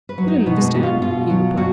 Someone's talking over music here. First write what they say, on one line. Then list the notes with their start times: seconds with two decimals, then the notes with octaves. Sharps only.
"You don't understand," he replied.
0.09 B4
0.18 F#3
0.28 D#4
0.46 B2 B3
0.57 G#3
0.65 A#3
0.74 B2 F#4
0.83 F4
1.02 B2 F4
1.30 F#3
1.57 B2 F#4